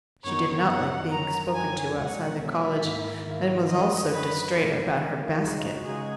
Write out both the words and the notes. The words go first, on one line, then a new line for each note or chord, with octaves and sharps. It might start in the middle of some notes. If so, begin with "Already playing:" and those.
She did not like being spoken to outside the college, and was also distrait about her basket.
F#2 D#3 F#3 B3 D#4 C#5
F#2 D#3 F#3 B3 D#4 F#5
F#2 D#3 F#3 A#5
F#2 D#3 F#3 G#5
C#2 B2 F#3 F#5
C#2 B2 F#3 E5
G#2 D#3 A#3 E4
G#2 D#3 A#3 E4
F#2 D#3 F#3 D#5
F#2 D#3 F#3 B4
G#2 D#3 A#3
G#2 D#3 A#3
C#2 C#3 G#3 D#4 F#4
C#2 C#3 G#3 D#4 F#4 G#4